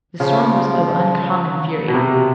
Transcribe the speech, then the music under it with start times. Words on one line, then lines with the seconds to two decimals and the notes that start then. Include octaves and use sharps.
The storm was of uncommon fury.
0.20 C#3 F3
1.88 B2
1.94 C3